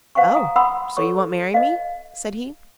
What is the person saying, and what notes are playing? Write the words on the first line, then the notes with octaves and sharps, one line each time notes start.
'Oh! so you won't marry me?' said he.
C5 F5 F#5 G#5 C#6
G#5 A#5 D#6
F#5 B5 C6 D#6 E6
A4 C#5 C#6
D#5 F5